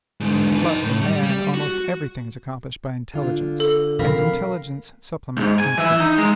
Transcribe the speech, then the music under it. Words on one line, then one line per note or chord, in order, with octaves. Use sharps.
But, in man, almost every thing is accomplished by intelligence; and intelligence supplements instinct.
G#2 D3
D#4 B4
A2
G3
G3
F#4
D3 F4
A4
B2 F3 C4 A#4 F5 B5
D2 G#2
G#5
E3 E5
D#4
G#3